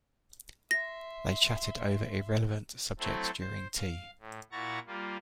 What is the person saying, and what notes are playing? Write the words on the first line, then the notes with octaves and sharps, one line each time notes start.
They chattered over irrelevant subjects during tea.
E5 C6 A#6
F#3 A3 C4 E4 A4 C5
C5
F5
A2
A#2 E4 F#4 A#5 C#6 A6
G3 A#3 F4